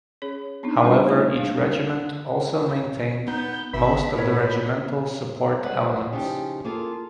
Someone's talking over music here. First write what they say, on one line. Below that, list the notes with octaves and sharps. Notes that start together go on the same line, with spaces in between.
However each regiment also maintained most of the regimental support elements.
C#4 G#4 C#5
B3 C4 D4 D#4
G3 C4 D4 F4 A4
A3 D#4 F4 C5
A#3 D4 F5
B3 D#4 G6
G#1 B3 E5 B5
A2 E4 A#4 C#5
C4
G3 G#3 C4 B4 F#5
C#3 F3 D#4 F4 G4
A#3 F4 G#4 A4